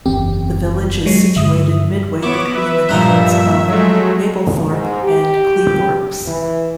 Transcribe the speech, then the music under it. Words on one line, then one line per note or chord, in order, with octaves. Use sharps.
The village is situated midway between the towns of Mablethorpe and Cleethorpes.
F#1 E2 C4 G4
F#3 G#3 C#5
G2 D3 E5 D#6
B3 E4 C#5 D6
B4 E5
G2 A#2 F3 D#4 B4
F#3 G#3 A3
G#2
G4
E3